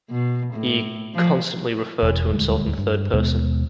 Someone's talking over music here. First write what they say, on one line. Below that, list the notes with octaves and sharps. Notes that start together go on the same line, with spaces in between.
He constantly referred to himself in the third person.
B2
A2
F3
E1
D#1 D2 G3 G#3
G2
D#2 B2 G#3 B3